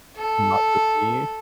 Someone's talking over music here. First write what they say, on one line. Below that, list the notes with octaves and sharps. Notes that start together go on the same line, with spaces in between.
not just me."
A4